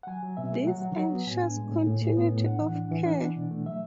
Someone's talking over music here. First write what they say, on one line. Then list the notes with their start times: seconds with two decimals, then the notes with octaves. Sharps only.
This ensures continuity of care.
0.03 F#5
0.07 F#3 G#5
0.23 F#3
0.37 B2 E5
0.52 A3
0.67 F#3 F#5
0.82 F#3
0.97 F#3
1.12 B3
1.27 A2 G#5
1.42 D4
1.57 G#3
1.71 A2
1.87 A2
2.02 A2
2.17 B3
2.32 A2
2.46 D4 F#5
2.61 E3
2.76 D4
2.91 E3
3.06 D4
3.21 D4
3.36 B2
3.51 A3
3.66 F#3 E5